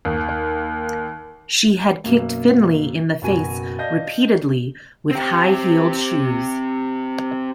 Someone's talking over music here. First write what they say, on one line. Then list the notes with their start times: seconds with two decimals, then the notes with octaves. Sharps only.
She had kicked Finley in the face repeatedly with high heeled shoes.
0.05 D#2
2.04 F#2 B2 A#3
3.22 F#1 B2 F#4 G#5 D#7
3.79 D5 D#5 F5 A5 G6 A#6
5.11 C4 G4